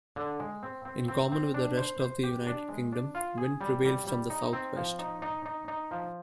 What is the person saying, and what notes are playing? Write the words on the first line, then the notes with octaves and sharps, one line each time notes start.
In common with the rest of the United Kingdom, wind prevails from the south-west.
D3
G#3
C4
C4
C4
C4
D4
C5
C5
G4
D4
G#3
D4
F4
G#4
G3
G3
G3
D#4
C4
F3
D#4
D#4
D#4
D#4
F3